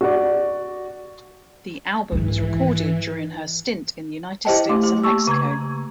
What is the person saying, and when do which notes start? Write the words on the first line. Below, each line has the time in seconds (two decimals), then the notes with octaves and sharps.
The album was recorded during her stint in the United States and Mexico.
0.01 F#4 D5
2.12 G#2 D#3 E3
4.45 E4 G4 C5 D#5 G5 A5
4.69 A3 F5 C6 D6
4.84 G4
5.03 A#3 A5 C#6 E6
5.27 C#3 A#5 C#6 G#6